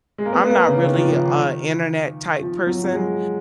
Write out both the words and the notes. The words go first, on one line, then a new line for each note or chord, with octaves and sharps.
I'm not really a internet type person,
G#3
A#3
B3
B3
A#3
C#3
D#3
F3
D#3
F3
F#3
F#3
G#3